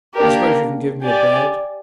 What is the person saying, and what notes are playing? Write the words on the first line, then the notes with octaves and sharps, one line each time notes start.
I suppose you can give me a bed.'
A#3 D4 G4 A#4
G4 D5 G#5